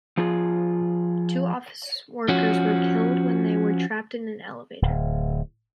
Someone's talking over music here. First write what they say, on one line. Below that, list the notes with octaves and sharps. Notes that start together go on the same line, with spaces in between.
Two office workers were killed when they were trapped in an elevator.
F3 F4 G#4
F3 C#4 F#4
D1